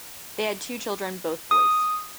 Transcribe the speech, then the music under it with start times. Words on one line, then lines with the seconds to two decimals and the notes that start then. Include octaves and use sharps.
They had two children, both boys.
1.51 D#6